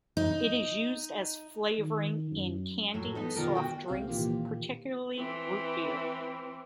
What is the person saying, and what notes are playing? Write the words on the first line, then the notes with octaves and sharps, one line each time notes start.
It is used as a flavoring in candy and soft drinks, particularly root beer.
D#4
D#3
F#2
A2 F#3
B3 D#4 A4 D#5
B2 D3 D#3 F4 A4 A#4
E4 F#4 G5 G#5
C2 C3 C4 G4 F5
A#2 D#3 E3 A#3 F4 G4
E3 C4